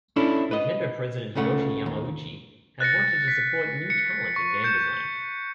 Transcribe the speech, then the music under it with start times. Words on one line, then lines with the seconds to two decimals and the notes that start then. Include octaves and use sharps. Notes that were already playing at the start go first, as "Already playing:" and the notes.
Nintendo president Hiroshi Yamauchi had wanted to support new talent in game design.
0.16 C#4 D4 E4 A4
0.51 B4 D#5
1.35 C#2 C#3 A3 F#5
1.86 D#2
2.80 F#6 A6 A#6 C#7
3.28 B6
3.90 C#7
4.36 C#6
4.64 G6 C#7 E7